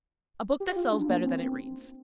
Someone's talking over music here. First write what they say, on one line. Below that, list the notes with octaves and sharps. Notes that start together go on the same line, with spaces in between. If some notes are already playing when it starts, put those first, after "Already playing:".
A book that sells better than it reads.
G4
F4
D4
A#3
C4